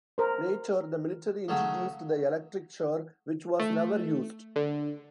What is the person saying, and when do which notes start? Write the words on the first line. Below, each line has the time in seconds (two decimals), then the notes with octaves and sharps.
Later, the military introduced the electric chair, which was never used.
0.18 A#4 C5
1.48 C#3 F#3 A3
3.59 A3
4.56 D3